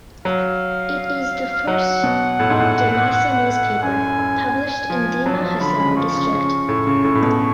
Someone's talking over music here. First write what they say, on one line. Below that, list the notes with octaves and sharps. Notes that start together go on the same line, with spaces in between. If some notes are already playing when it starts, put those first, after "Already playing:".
It is the first Dimasa newspaper published in Dima Hasao district.
F#3 F5
F#3 F#5
B2
A2
G#2
A2
F#2 G#5
F#2
F3
F#3 A5
F3
D3 B5
C#3
F3 C#6
C#3
C#3
A2
C#3
A2
A2
B2